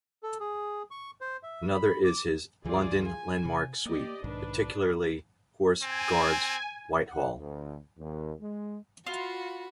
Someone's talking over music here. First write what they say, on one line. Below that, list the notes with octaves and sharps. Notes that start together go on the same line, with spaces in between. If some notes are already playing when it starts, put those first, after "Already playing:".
Another is his "London Landmarks Suite", particularly "Horse Guards, Whitehall".
A4
G#4
C#6
C5
E5
B5
D6
C#2 E3 G3 F4 G#4 D5
G#5
C3
A#3 G4 D5 D#5
B1 G#2 D#3 D4 B4
C4 G#5
F#5
D2
D#2
G#3
F4 F#4 B5